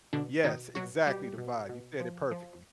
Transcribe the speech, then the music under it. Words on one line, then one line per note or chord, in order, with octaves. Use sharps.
Yes, exactly the vibe, you said it perfectly.
B2 D3 D4
B2 D#3 D#4
B2 F#3 F#4
B2 G3 G4
B2
B2
F3
F3